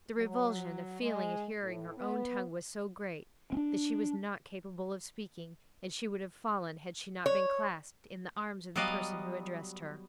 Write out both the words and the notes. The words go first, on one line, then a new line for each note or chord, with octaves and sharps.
The revulsion of feeling at hearing her own tongue was so great that she was not capable of speaking, and she would have fallen had she not been clasped in the arms of the person who addressed her.
F#3
G#3
A2
B3
C4 D4
C#5
F#3 G3 B3 D5 D#5 F5